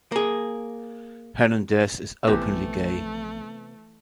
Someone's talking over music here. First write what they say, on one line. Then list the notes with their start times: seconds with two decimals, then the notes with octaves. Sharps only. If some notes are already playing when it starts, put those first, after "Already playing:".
Hernandez is openly gay.
0.12 A#3 G#4
2.27 A#1 C3 E3 F3 A3 B3 G4 A#5